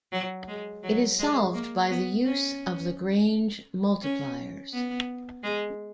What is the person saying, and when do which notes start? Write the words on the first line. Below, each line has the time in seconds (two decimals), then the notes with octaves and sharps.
It is solved by the use of Lagrange multipliers.
0.12 F#3
0.48 G#3
0.84 F#3
1.19 G#3
1.54 A#3
1.90 B3
2.25 C#4
4.03 C#4
4.73 B3
5.43 G#3